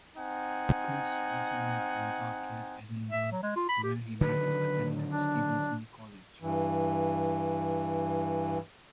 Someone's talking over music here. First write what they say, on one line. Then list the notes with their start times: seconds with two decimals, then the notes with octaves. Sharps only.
Chris also lived in Parkhead, Edinburgh where he later attended Stevenson College.
0.17 C4 D#4 F#5 G#5
3.11 E5
3.31 F#3
3.43 G#3
3.56 F4
3.69 B5
3.83 G4
4.21 D3 D#3 F#3 B4
5.11 D4
6.41 G2 E3